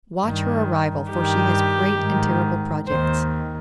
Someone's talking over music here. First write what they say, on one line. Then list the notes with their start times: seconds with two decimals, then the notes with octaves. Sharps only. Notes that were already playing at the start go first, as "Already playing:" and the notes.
Watch her arrival, for she has great and terrible projects.
0.24 G2 D#3
1.11 G2 D#3 G4
1.99 G#2 D#3
2.87 D#2 D#3 C5